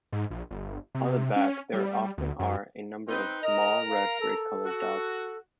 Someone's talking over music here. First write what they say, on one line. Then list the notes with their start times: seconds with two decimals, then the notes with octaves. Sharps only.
On the back there often are a number of small red-brick coloured dots.
0.12 G#2
0.31 A#1
0.51 G1
0.95 C3
1.36 C#4
1.73 G3
2.18 D2
2.39 F#2
3.08 C4 D#4 B4
3.43 A#4 D#5 A#5
3.90 F5
4.20 A4
4.64 F#4